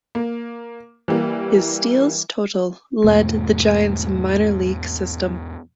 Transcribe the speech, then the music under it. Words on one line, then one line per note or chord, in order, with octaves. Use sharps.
His steals total led the Giants minor-league system.
A#3
E3 G3 A#3
E2 G#2 B2 A3